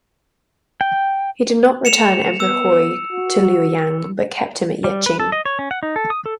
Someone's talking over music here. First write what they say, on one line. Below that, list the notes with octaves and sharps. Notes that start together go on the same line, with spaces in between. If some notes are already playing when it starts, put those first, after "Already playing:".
He did not return Emperor Hui to Luoyang, but kept him at Yecheng.
G5
A3 C#7 E7 F7
B3 E6
F#4
G3
B4
A4
D#5
C#5
C#4
F#5
D#4
A4
D#6
A4